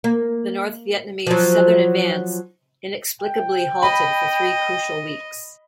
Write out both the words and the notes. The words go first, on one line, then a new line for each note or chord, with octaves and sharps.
The North Vietnamese southern advance inexplicably halted for three crucial weeks.
A#3
F3 F#3
G5
D#5 B5